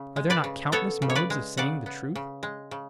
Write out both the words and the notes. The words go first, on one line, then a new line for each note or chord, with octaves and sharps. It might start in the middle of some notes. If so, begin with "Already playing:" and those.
Are there not countless modes of saying the truth?
Already playing: C#3
G#3
B4 D5
C#3
B3 A4 C#5
C#3
C#5
B4 D5
G#3
C#3 D5 F#5
B3
C#3
G#3
C#3